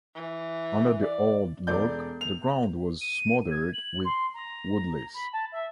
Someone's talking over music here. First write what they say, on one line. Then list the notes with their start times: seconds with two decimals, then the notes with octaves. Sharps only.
Under the old log the ground was smothered with woodlice.
0.15 E3
1.02 D5
1.67 E1 A4 D5 G6
2.21 F7
3.01 D#7
3.51 G#6
3.74 F#7
4.05 C6
4.34 A#5
5.14 B5
5.33 A5
5.52 E5